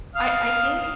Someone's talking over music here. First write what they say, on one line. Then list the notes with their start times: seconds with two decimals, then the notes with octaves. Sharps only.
I I think
0.16 F5 D#6 F6